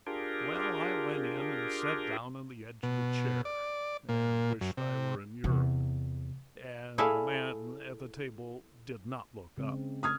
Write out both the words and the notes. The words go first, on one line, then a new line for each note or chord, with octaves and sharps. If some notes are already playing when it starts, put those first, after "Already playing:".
Well, I went in and sat down on the edge of a chair, and wished I were in Europe, and the man at the table did not look up.
D4 F4 G4 G#4 A#4
B2
D5
A#2
F#2
C3
E2 C3
E4 G#4 A4 D5 E5 F5
C#3 G#3 C4
D#6 F6 G#6